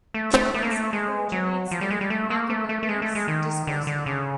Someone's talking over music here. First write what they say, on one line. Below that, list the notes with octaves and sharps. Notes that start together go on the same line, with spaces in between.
The concept originates in Machiavelli's "Discorsi".
A3
A3
A3
A#3
A3
G#3
F#3
F3
G3
G#3
G3
A3
A#3
A3
A3
A3
G#3
A3
G#3
D#3
D3
D3
C#3